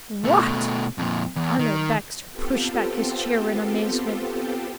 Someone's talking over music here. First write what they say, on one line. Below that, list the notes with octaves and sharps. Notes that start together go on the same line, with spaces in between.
"What!" Arnold Baxter pushed back his chair in amazement.
B2 A3
F2 A#2
E2
D#3
B3 C4 F4 G4 A4